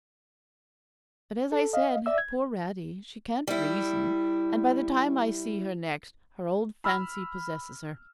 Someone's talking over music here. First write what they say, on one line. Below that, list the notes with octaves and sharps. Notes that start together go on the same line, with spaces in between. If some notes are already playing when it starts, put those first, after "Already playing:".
But as I said, poor Radie, she can't reason; and by the time I see her next, her old fancy possesses her.
A4
D#5 F5
D5 E5 E6
G#6
G3 E4
B5 E6 F6